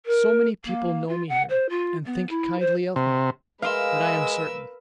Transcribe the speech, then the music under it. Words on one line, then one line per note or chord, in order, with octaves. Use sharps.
So many people know me here, and think kindly of me, that I am certain.
A#4
A#3
F4
F#5
C5
F4
B3
E4
C5
C3
G#3 A#4 B4 F5 C6 E6